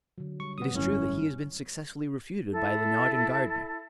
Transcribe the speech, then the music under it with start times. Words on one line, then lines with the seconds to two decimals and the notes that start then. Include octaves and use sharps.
It is true that he has been successfully refuted by Lingard and Gairdner.
0.18 D3 F#3
0.40 G3 C#6
0.58 B3 D#6
0.74 G#1 F#2 G3 A3 C#4 E4
2.51 E4 A4